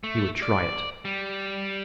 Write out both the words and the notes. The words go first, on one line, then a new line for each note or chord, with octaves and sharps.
He would try it.
A3
D5
G3